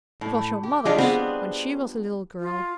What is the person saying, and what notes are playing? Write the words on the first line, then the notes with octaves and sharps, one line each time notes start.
"It was your mother's when she was a little girl."
A2
G4
G3 G#3 D4 F4
B3 C4 G#4
F4